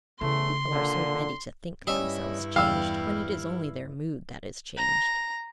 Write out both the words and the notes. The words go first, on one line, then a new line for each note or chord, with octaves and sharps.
People are so ready to think themselves changed when it is only their mood that is changed!
E2 A2 C#3 A3 C6
A#2 D3
G2 G3 C#4 E4 D#5 E5
E2 G3 F5 E6
A#5